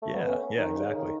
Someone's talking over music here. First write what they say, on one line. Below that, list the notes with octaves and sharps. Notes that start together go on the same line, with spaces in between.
Yeah, yeah, exactly.
A3
B3
C#4
D#3
C#3
D#3